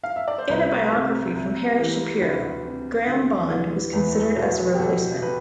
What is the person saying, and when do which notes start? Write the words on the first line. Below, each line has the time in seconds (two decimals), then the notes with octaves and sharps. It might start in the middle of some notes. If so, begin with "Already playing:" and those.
In a biography from Harry Shapiro, Graham Bond was considered as a replacement.
0.04 F5
0.16 E5
0.28 D5
0.38 C5
0.49 C2 B4
0.93 C3
1.35 C2
1.79 E3
2.21 D2 B4
2.65 C3
3.07 D2
3.50 E3
3.93 E2 B4
4.15 A4
4.36 B2 B4
4.74 G4
4.78 B2 A4
5.22 B4